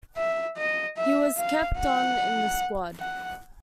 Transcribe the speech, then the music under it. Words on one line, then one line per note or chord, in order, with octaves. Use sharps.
He was kept on in the squad.
E5
D#5
E5
F5
F#5
F#5